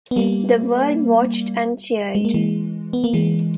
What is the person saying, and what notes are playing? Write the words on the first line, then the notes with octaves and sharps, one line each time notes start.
The world watched and cheered.
B3
G3 A#3
G#3
A#3
E3 G#3
B3
A#3
E3 G#3